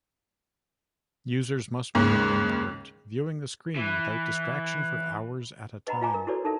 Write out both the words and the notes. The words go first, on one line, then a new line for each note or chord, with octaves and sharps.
Users must remain alert, viewing the screen without distraction for hours at a time.
D#2 G#2 C#3
E3
B4 D#5 F#5 A#5 B5
F4 D#5 F5 G#5 A#5 D6
A#4
E4 F#4 A4 B4 C#5 D5
D#4 A4 A#4 E5